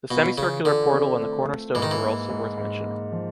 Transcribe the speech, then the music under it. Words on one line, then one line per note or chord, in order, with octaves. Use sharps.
The semicircular portal and the corner stones are also worth mentioning.
B2 F4
C#3 E3
D3 F4
C4
A3
A3
G#2 E3
D#3
E3
A#3
G#2
G#2
A#3
F3